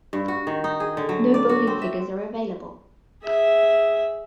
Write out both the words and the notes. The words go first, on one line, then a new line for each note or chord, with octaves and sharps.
No bowling figures are available.
G2
F#4
D#3
D#4
G#4
D3
F#3
D5
F#4
C4
E5
G#4 E5